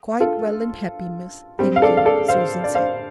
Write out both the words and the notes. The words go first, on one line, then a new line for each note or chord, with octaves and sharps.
"Quite well and happy, miss, thank you," Susan said.
F4 A4
G3 C4
F5
A4 D5
F5
A4 D5
C5 F5
D5
C5 F5